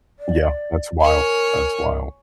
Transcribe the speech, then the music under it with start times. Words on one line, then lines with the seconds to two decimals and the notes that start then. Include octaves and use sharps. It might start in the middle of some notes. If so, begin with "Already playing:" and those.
Yeah, that's wild. That's wild.
0.19 D5
1.01 A#4 C#5 G#5